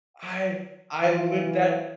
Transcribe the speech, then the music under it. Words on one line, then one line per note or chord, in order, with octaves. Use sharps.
I I lit that
E3 F5